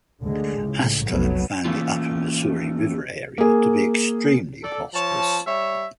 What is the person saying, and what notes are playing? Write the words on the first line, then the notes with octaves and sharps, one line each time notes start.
Astor found the upper Missouri river area to be extremely prosperous.
D2 D3 G#3
C#2 A2
F1 B1 F#3 A3 B3
E3 A3 A#3 C#4 F4
A#3 G#4
A4 D5
F3 C#5 A5
G3 C#5 E5